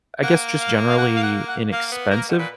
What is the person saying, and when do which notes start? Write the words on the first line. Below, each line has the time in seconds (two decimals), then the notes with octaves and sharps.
I guess, just generally inexpensive
0.23 A#3 F#5
0.60 F5
0.89 F5
0.98 F#5
1.16 F5
1.23 F#5
1.48 F#5
1.72 A#3 F5
1.92 B3
2.10 A#3 A#4
2.29 B2
2.38 A#2 B4